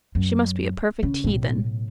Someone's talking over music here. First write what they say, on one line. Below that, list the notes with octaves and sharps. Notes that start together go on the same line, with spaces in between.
She must be a perfect heathen.
F#2
C#3
B1 A2